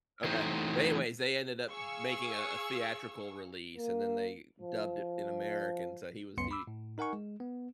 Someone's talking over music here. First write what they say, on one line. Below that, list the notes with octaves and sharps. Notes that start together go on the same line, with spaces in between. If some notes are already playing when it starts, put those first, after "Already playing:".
Okay. But, anyways, they ended up making a a theatrical release, and then they dubbed it in American, so, he was the
E3 F#3 A3 C4 D#4 C5
G#4 F5 C#6 E6
A#3
F3
C#2 F#2 B3 C6 C#7
B5 D6 E6
A2
D#4 A#4 F#5 G#5 C#6
G#3
B3